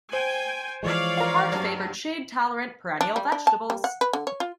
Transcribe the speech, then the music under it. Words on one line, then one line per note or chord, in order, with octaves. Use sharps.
Hart favoured shade tolerant perennial vegetables.
C5 G5 G#5
E3 F3 G#3 C#5 D5 F5
F4 A#4
G2 F#3
D4
G3
D4
A5
G3
F#5
B4
D3
C#5
F4